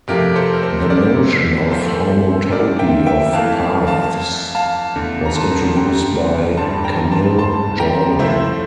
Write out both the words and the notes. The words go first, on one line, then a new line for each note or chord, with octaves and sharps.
The notion of homotopy of paths was introduced by Camille Jordan.
F2 C3 F3 A3 G4 A#4
A4 C5
A#4
A4 C5
A#4 D5
A#2 F3 A3 A4 C5
A#4 D5
E5 G5
E5 G5
F2 E3 A3 F5 A5
F5 A5
F5 A5
E2 D3 A3
A#5
A5 C6
C6
G5 A#5
G2 D3 G3 A5 C6
G5 A#5
A5 C6
A5 C6
G5 A#5
A2 F3 A3 C5 E5